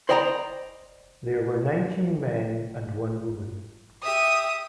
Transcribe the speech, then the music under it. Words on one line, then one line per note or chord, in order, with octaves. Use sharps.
There were nineteen men and one woman.
C5 D5 D#5 G5 A5 A#5
G4 E5 D#6